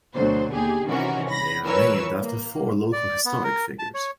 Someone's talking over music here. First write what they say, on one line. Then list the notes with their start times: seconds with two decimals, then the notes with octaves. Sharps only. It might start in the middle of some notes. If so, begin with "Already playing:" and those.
They are named after four local historic figures.
0.15 D2 B2 D3 F#3 C5
0.54 D#2 G4 G#4
0.85 C3 D#3 E3 C#4 F#4 A#4
1.30 B5 A#6
1.65 E3 A#4 B4 C#5 E6
2.22 A#3
2.92 D5
3.25 B3
3.44 A#4
3.79 A5
3.94 C#5